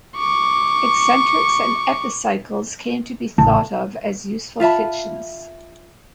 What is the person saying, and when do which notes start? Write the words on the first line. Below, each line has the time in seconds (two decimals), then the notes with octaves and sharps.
Eccentrics and epicycles came to be thought of as useful fictions.
0.18 C#6 D6
3.38 A1 C#3 A3 E4
4.60 F4 E5 A5 B5